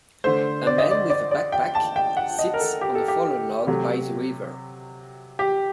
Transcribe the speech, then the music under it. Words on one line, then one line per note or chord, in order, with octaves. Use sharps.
A man with a backpack sits on a fallen log by the river.
D3 A3 C5
D5
D#5
D5
D5
D5
G5
A5
G5
F#5
D#5
A#4
A4
G4
A4
G4
C3 F#3 A3
G4